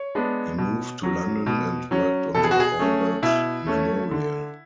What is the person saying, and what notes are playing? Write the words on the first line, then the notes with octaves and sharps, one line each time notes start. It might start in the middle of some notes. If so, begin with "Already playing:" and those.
He moved to London and worked on the Albert Memorial.
Already playing: C#5
G#3 B3 D4
B2
F#3 C#4
B2
F#3 C#4
B2 A4
G#4
F#4
G#4
A3 C#4
B2 E4
A3 C#4
D3